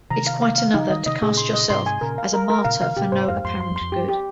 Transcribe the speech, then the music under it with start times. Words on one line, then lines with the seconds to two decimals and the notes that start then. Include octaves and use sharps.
It's quite another to cast yourself as a martyr for no apparent good.
0.11 C3 D#3 A#5
0.27 F5
0.42 F5
0.58 F5
0.74 C#3 F3 D#4
0.90 D#3 G3 D#5
1.06 C3 D#3 D#5
1.22 A#2 C#3 G#4
1.37 C6
1.53 D#5
1.70 G#2 C3 C6
1.86 G#5
2.01 A#2 C#3 A#4
2.18 F5
2.33 A#4
2.50 A#4
2.65 A#2 C#3 F5
2.80 C3 D#3 F5
2.97 A#2 C#3 G4
3.12 G#2 C3 C5
3.28 F2 G#2 F5
3.44 F2 G#2 C6
3.60 G2 C6
3.71 F2
3.76 C6
3.81 F2
3.92 G2 G4
4.09 G4